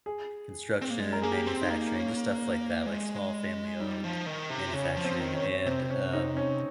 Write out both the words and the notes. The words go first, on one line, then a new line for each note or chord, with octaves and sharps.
construction, manufacturing, just stuff like that, like small family-owned manufacturing and, um,
G#4
C4
A#3
G#3
A#4
A#3 G#4
G4
C4
D#4
A#3
C#4
G#3
G3 D#4
F3
D#3
C3
C#3 C#4
F3
C4
D#3
C#4
C3 C4
C#4
D#4
C#4